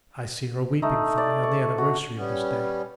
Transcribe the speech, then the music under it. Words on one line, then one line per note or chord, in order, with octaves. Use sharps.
I see her weeping for me on the anniversary of this day.
A3 D#4
D5
C#6
F#4
G3 B3 C#4